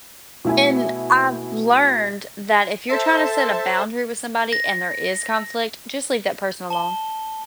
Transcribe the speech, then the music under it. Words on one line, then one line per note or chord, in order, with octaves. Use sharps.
and I've learned that if you're trying to set a boundary with somebody and there is conflict, just leave that person alone.
B2 A3 E4 E5 G#5
A4 C5 E5 A5
A#6
A5 G7